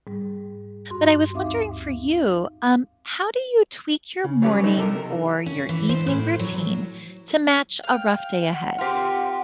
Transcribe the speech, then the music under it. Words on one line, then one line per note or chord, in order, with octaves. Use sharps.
but I was wondering for you, um, how do you tweak your morning or your evening routine to match a rough day ahead?
G#2 G3
G2 F#4 C6
D2 C4 D#4 E5 F5 D6
C#3
F#3 G3 C#4 G4 B4
F#3 A3 D#4 C5
C3 A4 A#4
C#4
E3
C5
A2
F#3
F5 G5
F#5
C4 F4 G4 A#4